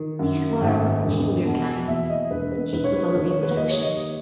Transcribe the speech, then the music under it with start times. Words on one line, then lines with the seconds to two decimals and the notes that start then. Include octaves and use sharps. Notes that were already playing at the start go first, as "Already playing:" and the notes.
These were of a peculiar kind, incapable of reproduction.
Already playing: D#3
0.19 F#2
0.61 G#1
1.04 E1
1.45 B2
1.87 E2 E5
2.10 D#5
2.30 E1 B4
2.52 B4
2.72 E1 B4
2.84 C#5
2.96 B4
3.07 C#5
3.15 D#3 B4
3.30 C#5
3.43 B4
3.56 D#2 D#5
3.70 C#5
3.82 D#5